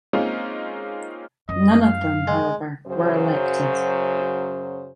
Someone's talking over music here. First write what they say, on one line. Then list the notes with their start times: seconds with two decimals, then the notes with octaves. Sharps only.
None of them however were elected.
0.13 G#3 A#3 C4 C#4 D#4 F4
1.49 F#2 D#5
1.81 F5
2.27 G#3
2.88 F#2 C#3 F#3 C5